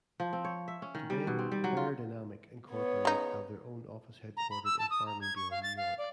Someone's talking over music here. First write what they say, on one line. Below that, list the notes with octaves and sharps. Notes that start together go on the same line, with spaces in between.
Today beyerdynamic, Incorporated have their own office headquartered in Farmingdale, New York.
F3
C4
C#5
E5
C#4
D#3
G3
B2
C4
G3
F#3
F4
B3 C#5
C#3 D#4
A#5
B5
E6
A5
D#6
A#5
G#6
C#6
F5
A6
F5
D5